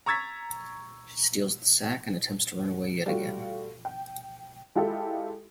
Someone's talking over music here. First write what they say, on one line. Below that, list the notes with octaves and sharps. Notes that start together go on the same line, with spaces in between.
She steals the sack, and attempts to run away yet again.
A#5 C#6 E6 G#6 A6 B6
G3 A3 F4 F#4
G5
G#3 E4 F4 G4 A4